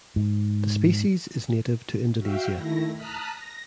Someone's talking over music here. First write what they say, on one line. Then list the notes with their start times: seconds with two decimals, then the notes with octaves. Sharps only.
The species is native to Indonesia.
0.16 G#2
2.17 F#4 E5 F5 G5
2.54 D#3 A3 E4 A#6
2.95 A5 A#5 D#6 F6 F#6 B6
3.28 A#6